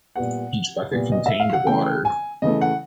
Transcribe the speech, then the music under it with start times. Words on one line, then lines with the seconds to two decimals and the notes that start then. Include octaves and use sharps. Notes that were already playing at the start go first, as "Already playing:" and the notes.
Each bucket contained of water.
0.16 A#2 G3 B3 F#5
0.91 A#2 G3 B3
1.12 D#5
1.26 E5
1.40 F5
1.53 F#5
1.67 C#3 E3 A3 G5
2.05 G#5
2.42 C#3 E3 A3 D#5
2.61 F#5